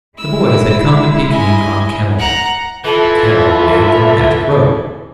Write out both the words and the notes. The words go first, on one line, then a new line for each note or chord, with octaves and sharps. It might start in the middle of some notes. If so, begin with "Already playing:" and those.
The boys had come to Peking on camel-back, a camel made from the magic rope.
G#3 E4 E6
D#5 G#5
F#5 A#5
E3 F4 A4 E5